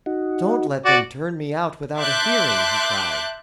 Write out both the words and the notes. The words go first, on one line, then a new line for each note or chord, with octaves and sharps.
"Don't let them turn me out without a hearing!" he cried.
D#4 F#4
F#4 D5
E5 A5 C6 D6 F#6 G6